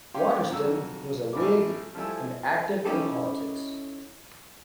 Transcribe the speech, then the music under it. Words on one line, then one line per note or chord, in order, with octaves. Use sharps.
Watterston was a Whig and active in politics.
C#4 G4 F5 G5 C6
F2 F#3 G3 E6
A1 A3 B5 D6
F3 G3 A3 E4 G#5 E6
C#4 D#4 E4 G4 A4